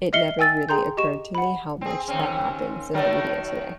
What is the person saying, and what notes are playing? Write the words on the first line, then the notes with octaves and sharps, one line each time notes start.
it never really occurred to me how much that happens in our media today.
D#5 E5 F6 C7 C#7 G7
G5 G#5 E6 A6
G#4 G5 A#5 C6 G6
G4 D#5 C#6 E7
F#5 B5
C4 G#4
D#2 C4 C#4
D#3 F#3 A3